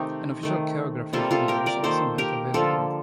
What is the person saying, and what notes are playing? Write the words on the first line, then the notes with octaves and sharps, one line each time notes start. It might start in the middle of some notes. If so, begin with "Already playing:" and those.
An official choreography video was also made available.
Already playing: C3 D#3 A3 D#4 G4
D#3 A3
C3 G3 A#3 F4 A4
F4 A4
G4 A#4
A#4 D5
D#3 A#3 A4 C5
G4 A#4
D3 F3 A#3 F4 A4